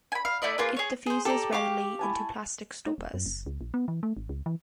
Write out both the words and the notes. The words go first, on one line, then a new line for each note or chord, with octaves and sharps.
It diffuses readily into plastic stoppers.
G#5 B5
F5
A3 E4 D5 D#5
A#3 F4 G#4 B4
G#4 C#5
G#4 C5
G4 A4 D5 A#5
G4 F5 C#6 D6
E4 G#5 A5
D#4
E1
F#2
F#1
C#2
A#1
B3
E3
A3
G#1
C#2
E3